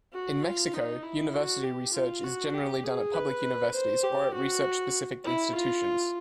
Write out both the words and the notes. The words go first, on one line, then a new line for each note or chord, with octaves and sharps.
In Mexico, university research is generally done at public universities or at research-specific institutions.
F#4
F4
D#4
E4
F#4
G4
F4
F#4
G4
G#4
B4
C5
G4
F#4
E4
F4